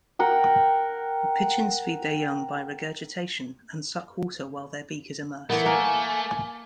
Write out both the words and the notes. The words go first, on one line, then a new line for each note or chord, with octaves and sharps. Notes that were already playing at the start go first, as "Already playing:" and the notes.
Pigeons feed their young by regurgitation and suck water while their beak is immersed.
A#4 F#5 G5
E3 A3 B3 A#4
A#3 G#5